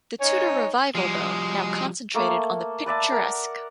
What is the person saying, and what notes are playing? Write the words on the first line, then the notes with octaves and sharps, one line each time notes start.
The Tudor revival, though, now concentrated on the picturesque.
D#4 C#5 G#5
F3 G3 G#3
A3 A#3 A4
B4 D5 E5 A5
A#4 F#5